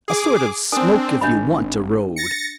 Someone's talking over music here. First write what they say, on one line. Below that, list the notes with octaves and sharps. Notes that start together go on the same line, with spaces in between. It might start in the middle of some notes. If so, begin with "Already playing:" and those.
A sort of 'smoke-if-you-want-to' road.
G#4 D6
C4 D4 A#4 G#5 D#6
G#1 D4 D#5 B5
A6 A#6 C#7